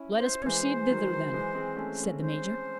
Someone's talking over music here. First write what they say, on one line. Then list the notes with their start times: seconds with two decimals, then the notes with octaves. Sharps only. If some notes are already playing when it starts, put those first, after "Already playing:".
"Let us proceed thither, then," said the major.
Already playing: C#4 E4
0.18 C5
0.42 C#5
0.46 E3 G#3 C5
0.90 D#3 F#3
1.33 E3 G#3
1.55 G#3 C4
1.76 A3 C#4
1.99 A3 C#4
2.20 C5